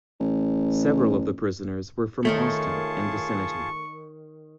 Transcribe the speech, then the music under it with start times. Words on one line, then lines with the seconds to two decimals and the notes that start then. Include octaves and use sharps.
Several of the prisoners were from Austin and vicinity.
0.20 A1
2.25 D#3 A3 F4 G#4 A#4 C#5 A5 C#6